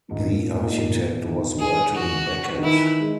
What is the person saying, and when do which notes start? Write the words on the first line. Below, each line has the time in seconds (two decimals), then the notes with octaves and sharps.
The architect was Welton Becket.
0.11 G#2
0.20 A#2
0.54 A#2
0.66 G#2
0.78 A#2
0.90 B2
1.20 E3
1.25 D#3
1.60 G#4
1.95 E3 F#4
2.58 D#3
2.64 E3 E4
3.00 G#3